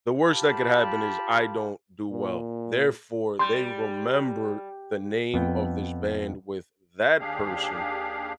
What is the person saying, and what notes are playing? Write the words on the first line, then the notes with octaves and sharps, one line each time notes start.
The worst that could happen is I don't do well. Therefore, they remember the name of this band with that person,
F4 G4 F5 A5 B5
A#2
G3 C6 G6
F2 B3 G5
D#2 D4 G4 G#4 F5